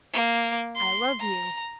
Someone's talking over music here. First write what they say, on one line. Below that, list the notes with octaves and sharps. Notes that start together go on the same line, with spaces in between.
I love you.
A#3
C6
A#5